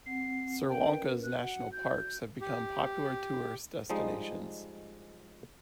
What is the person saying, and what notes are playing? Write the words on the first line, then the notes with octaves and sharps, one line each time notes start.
Sri Lanka's national parks have been become popular tourist destinations.
C4 F#5 C7
C#4 A#4 B4 G5
F#4 F#6
F#5
G6
G4
F3 G3 G#3 D#4